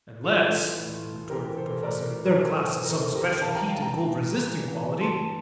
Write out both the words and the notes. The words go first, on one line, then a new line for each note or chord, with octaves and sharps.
"Unless," retorted the Professor, "their glass has some special heat and cold resisting quality."
E3 F4 A4
E3
A2
A2
E3 G4 A#4
E3 A4 C5
A2 A#4 D5
A2
A#4
E3 A4 C5
E3
A#4
E2 A4 C5
E2 G4 A#4
E3 F5 A5
G5 A#5
E3 F5 A5
G5 A#5
A2
A2
E3
E3
G2 A5 C6